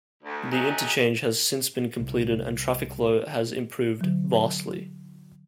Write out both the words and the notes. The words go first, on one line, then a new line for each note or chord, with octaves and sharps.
The interchange has since been completed and traffic flow has improved vastly.
D2
F#3 A3 D#4 G4 G#4
C2
D3 F#3